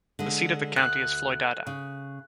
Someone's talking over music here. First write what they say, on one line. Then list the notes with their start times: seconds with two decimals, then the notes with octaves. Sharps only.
The seat of the county is Floydada.
0.19 D3 G#3
0.76 D2 F#6
1.67 C#3